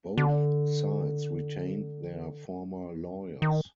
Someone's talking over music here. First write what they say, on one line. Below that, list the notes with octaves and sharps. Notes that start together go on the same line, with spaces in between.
Both sides retained their former lawyers.
D3
D#3